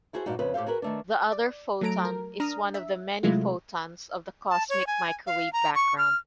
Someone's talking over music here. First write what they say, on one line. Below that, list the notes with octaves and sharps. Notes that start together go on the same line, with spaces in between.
The other photon is one of the many photons of the cosmic microwave background.
E4 F#4 G#4 A4 C5
G2 A#2 D#4 F#4
F2 C#3 B4 C5
A2 G4 A4 C5 F5
F#4 G#4 A#4 B4
D#3 A3 D4
D5
F#3 A3 A4 A#5 D7
A#4
D4 A#5 D#6 F6
E5
C3 F#3 G#3 A3 E4 F4
A5
C#5
G#5
F5
A#5
C#6
F6